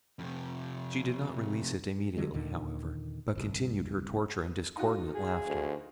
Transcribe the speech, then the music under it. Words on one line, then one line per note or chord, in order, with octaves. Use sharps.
She did not release it immediately however, but continued her torture and discordant laughter.
F2 C3
D3 F#3 G#3
D#2 A#2 D3 D#3
G1 C2
D#4 F4 F#4
G#4
D2